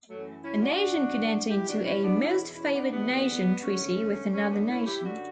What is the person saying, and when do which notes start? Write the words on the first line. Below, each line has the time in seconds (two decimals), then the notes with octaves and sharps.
A nation could enter into a "most favored nation" treaty with another nation.
0.09 F#2 E3 F#3 A3
0.44 C#4 E4
0.61 D4 F#4
0.80 F#2 E3
1.50 E2 B2 E4 G4
1.68 D4 F#4
1.85 C#4 E4
2.04 B3 D4
2.21 E2 B2 C#4 E4
2.56 C#4 E4
2.74 B3 D4
2.91 E2 D3 G3 B3
3.62 E2 D3 A3 C#4
4.33 F#2 D3 A3 C#4
4.51 B3 D4
4.69 C#4 E4
4.86 E4 G4
5.04 F#2 D3 D4 F#4